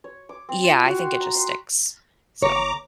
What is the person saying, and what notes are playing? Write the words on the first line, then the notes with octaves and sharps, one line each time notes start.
Yeah, I think it just sticks, so
C#5
D6
C4
F4
F#4
C6
A#5
C6
G1 C#5 A#5 D6